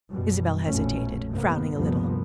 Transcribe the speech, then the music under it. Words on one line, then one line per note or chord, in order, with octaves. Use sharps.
Isabel hesitated, frowning a little.
F#2 B2 G3
A#1 F2 B2 A3 C#4
G2 C3 A#3 B3
D2 G2 C3 F3 A#3 B3